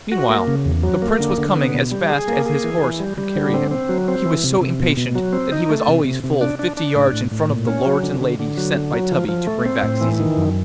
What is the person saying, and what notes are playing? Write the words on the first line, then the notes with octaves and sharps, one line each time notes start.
Meanwhile the Prince was coming as fast as his horse could carry him. He was so impatient that he was always full fifty yards in front of the lords and ladies sent by Tubby to bring back Zizi.
F#4
A#3
C#3
E2
F#3
A#3
D3
D3
B3
B2
G3
G#4
A#3
G#4
E3
E3
G3
G3
D3
C4
C4
F#3
C4
E3
C3
C3
B2
B2
F#3
C4
D#4
A3
C3
C3
C3
D4
D4
D4
A2
A2
A2
A#2
C#4
F#3
D3
D3
D3
F#3
D3
F#3
F3
F3
A3
C4
A2
E3
D#3
F#2